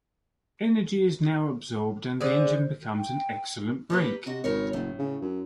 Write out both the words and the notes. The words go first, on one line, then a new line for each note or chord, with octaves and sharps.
Energy is now absorbed and the engine becomes an excellent brake.
D3 G#4 C5
G5
G3 A#3 B4
C3 F#4 D#5
G#1 C#3 A#4 C#5
F#1 A2
C#3
F#2